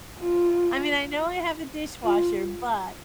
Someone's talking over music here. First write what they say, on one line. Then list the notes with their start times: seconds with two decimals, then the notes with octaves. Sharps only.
mean, I know I have a dishwasher, but
0.20 F4
2.04 F4